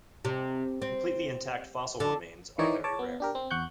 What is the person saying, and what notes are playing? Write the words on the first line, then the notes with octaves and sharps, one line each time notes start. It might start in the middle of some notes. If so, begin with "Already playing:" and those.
Completely intact fossil remains are very rare.
C3
C4
D3
D#3 E3 D#4 C#5 D5
C#5 A5 D6
B3
D4 G4 A#4
C4
E2 F#5 C#6 F#6 G6